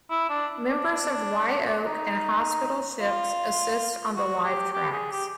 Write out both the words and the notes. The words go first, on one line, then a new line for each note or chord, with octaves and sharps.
Members of Wye Oak and Hospital Ships assist on the live tracks.
E4
D4
D4
D#4
F4
F#4
G4
G4
G#4
G4